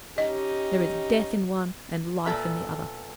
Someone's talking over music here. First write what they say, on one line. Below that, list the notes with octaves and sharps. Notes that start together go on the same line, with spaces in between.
There is death in one and life in the other.
C#4 D#4 G4 D#5
A#2 B3 A4 E5